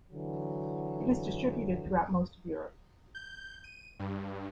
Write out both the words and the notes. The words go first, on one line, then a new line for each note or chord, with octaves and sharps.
It is distributed throughout most of Europe.
D3 E3 F#3
G6
D#7
G2